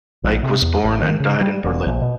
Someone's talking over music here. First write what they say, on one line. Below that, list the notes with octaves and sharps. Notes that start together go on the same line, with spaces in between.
Eicke was born and died in Berlin.
A#1
C3
E2
A1
D#3
C#3
G3
E1
A#1
B2